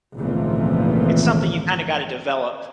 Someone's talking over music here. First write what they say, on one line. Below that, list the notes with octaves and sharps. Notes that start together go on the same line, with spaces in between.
it's something you kinda gotta develop.
G#1 C#2 A#2 E3 F3 A3